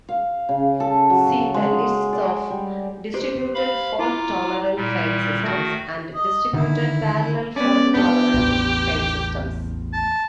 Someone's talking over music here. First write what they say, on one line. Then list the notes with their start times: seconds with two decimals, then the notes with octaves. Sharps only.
See the lists of distributed fault-tolerant file systems and distributed parallel fault-tolerant file systems.
0.09 F5
0.49 C#3
0.80 A4
1.10 F#3
1.54 G#3
2.13 D5
2.50 G3
3.14 G4 B4 C5
3.54 F5 B5
3.99 E4 F4 A#5 D6
4.76 A#2 G3
5.44 D#3 A3 F#4
6.14 D#5
6.53 D3 D#3 E4
7.56 B3 C#4 D5
7.94 B3 D4 G4
8.34 A1 E2
9.93 A5